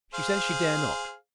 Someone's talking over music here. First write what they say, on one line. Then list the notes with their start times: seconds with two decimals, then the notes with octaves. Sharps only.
She says she dared not.
0.14 G#4 C5 F5